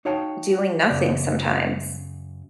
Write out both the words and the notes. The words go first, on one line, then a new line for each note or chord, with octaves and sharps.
doing nothing sometimes.
D#4 F#4 C#5 F5 G5 A5
F#2 C#3 D5